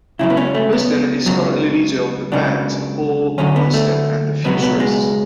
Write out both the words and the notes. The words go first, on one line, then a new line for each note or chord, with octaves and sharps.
Housden is currently leader of the band, Paul Housden and the Futurists.
C#2 C#3 F#3 E4
B3
C#4
A3
B3
C#2 C#3 F#3
C#2 C#3 F#3 D4
D2 D3 F#3 C#4
B3
A3
C#2 B2 F#3 B3
B3
G#3